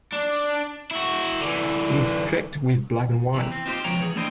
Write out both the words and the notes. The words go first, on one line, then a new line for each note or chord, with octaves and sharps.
It is streaked with black and white.
D4
E4 F#4
D3 E3
E2 C3 E3
C4
C4 D#4 F4 G4 C5
C#2 B2 F3 C#5 G5 A#5
E3 G#4
A3 D4 E4 C5 D#5 G5